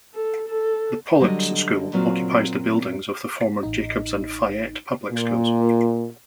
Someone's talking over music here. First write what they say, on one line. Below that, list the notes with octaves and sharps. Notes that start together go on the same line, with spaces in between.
The Politz School occupies the buildings of the former Jacobs and Fayette Public Schools.
A4
A4
D3 F#3 G3 A4 D#5
A#2 F#3 C4 F4
A1 D#4
A#2